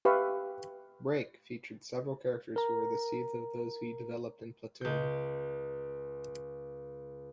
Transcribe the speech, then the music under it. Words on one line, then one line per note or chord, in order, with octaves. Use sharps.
"Break" featured several characters who were the seeds of those he developed in "Platoon".
G4 B4 E5 F5 C#6
A#4 A#5
C#2 G6